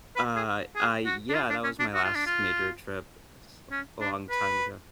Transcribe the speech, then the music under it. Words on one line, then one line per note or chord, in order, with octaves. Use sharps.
Uh, i I Yeah, that was my last major trip s a long time ago,
B4
G#4
G#4
F#4
D4
F4
D4
C#4
D4
F#4
F4
D4
F4
C#4
D4
B4